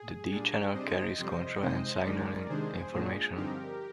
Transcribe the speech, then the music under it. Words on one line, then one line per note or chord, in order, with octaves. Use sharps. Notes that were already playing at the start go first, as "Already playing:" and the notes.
The D-channel carries control and signaling information.
Already playing: G#4
A#2 G3 D4 G#4
C3 G3 D4 C5 D#5
F2 C3 G3
C3 D#3 G#3 C4 C5 D#5
D#2 D3 G#3 D#4 A#4 D5
C3 D#3 G#3 D4 G#4 C5
A#2 F3 G#3 D4 G#4
G2 D3 F3 C4 D#4 G4 A#4